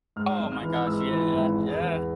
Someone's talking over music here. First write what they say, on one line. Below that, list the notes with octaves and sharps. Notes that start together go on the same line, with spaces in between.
Oh my gosh, yeah, yeah.
G#2 F6
G#1
F6
E3
G#2 E6
E3
G#1
E2
E2